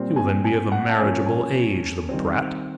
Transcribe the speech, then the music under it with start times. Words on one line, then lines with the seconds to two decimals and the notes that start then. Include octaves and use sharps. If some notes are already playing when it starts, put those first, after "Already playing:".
He will then be of a marriageable age, the brat!
Already playing: A#2 G3 C4
0.16 G#5
0.44 G#5
0.72 F#5
0.89 A5
0.99 F3 A#3 C#4 G#5
1.26 G#5
2.09 D#3 G3 C4